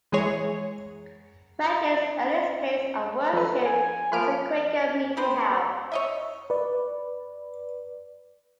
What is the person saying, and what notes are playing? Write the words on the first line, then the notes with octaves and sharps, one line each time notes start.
Frenchay's earliest place of worship was the Quaker Meeting House.
E3 G#3 G#4 C#5
F3 A4 B4
G#5
F3 B5 F6 D7
C4 G4 B4 C5
C#5 D#5 E5
B4 D5